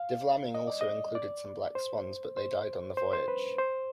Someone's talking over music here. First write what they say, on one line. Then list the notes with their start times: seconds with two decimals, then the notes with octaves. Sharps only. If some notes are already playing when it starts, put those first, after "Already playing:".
De Vlamingh also included some black swans, but they died on the voyage.
Already playing: F5
0.55 D#5
0.67 D5
0.81 D#5
1.15 D5
1.75 C5
2.37 C5
2.97 C5
3.13 C5
3.28 B4
3.58 C5